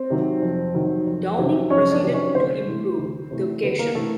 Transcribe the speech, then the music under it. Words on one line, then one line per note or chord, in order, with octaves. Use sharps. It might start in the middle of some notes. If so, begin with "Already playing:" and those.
Downing proceeded to improve the occasion.
Already playing: C4
C3 D#3 F#3
F2
C3 D#3 F#3
F2
C3 D#3 F#3
F2 C#4 C#5
D4 D5
C3 D#3 F#3
C#4 C#5
D2 C4 C5
C3 E3 A3
D2
C3 E3 A3
D2 B3 B4
A#3 A#4
C3 E3 A3 A4